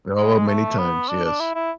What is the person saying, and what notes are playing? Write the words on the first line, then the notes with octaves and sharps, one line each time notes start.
Oh, many times, yes.
G#3
A3
B3
D4
D4
E4
E4